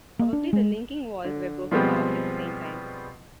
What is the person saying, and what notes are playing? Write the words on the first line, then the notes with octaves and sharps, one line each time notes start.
Probably the linking walls were broken off at the same time.
A#3
D4
G#3
D3
B2 F3 G3 G#3 B3 C4